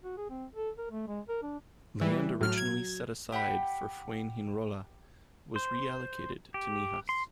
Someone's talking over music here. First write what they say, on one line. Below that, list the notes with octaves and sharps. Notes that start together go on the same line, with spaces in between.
Land originally set aside for Fuengirola was reallocated to Mijas.
F#4
G#4
C4
A4
A#4
A3
G#3
A#4
D4
E3 G3
A2 F#3 F6
G#6
G4 F#5 G5 B5
C5
G4
C6